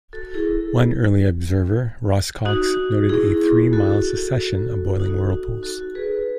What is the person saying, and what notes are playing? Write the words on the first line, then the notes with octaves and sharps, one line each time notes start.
One early observer, Ross Cox, noted a three-mile succession of boiling whirlpools.
F#4 A4
E4 G#4
D#4 F#4
E4 G#4
F#4 A4
D#4 F#4
F#4 A4
G#4 B4